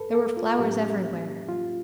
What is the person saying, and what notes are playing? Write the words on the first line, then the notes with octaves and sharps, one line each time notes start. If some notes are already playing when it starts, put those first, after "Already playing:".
There were flowers everywhere.
Already playing: G2 A4 B4
A4
F4
A2 F#3 A#3 C#4 G4
F4